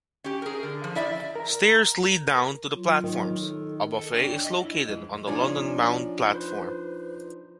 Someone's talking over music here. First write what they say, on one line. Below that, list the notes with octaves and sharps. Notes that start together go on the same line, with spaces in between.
Stairs lead down to the platforms: a buffet is located on the London-bound platform.
C#4 G4
G#4 A#4
D3
F3
E4 D5 E5
A#4 A#5
F#3 F4
D#3
A4
A4
D4 C#5 D5 G5
D#5
E4
F2 G#3
F3 D4 D#4 C#5 D5 G#5
B4 C5